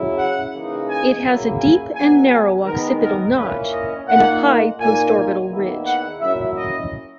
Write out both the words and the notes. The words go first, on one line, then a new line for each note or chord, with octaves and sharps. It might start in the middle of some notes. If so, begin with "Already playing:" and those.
It has a deep and narrow occipital notch and a high postorbital ridge.
Already playing: C#3 F#3 C#4 E4
F#5
C#3 E3 A#3 D#4
G#5
C#3 F#3 A#3 E4
G#5
E2 B2 F#3 C#4 G#5
G#5
D#3 G#3 B3 A#4
A#4
A#2 A#3 C#4 E4 B4
D#5
A#2 A#3 D#4 F#5
A#2 A#3 D#4 G#5
E2 D#3 A#3 E4
F#5
A#2 F#3 C#4 E4 E5
D#5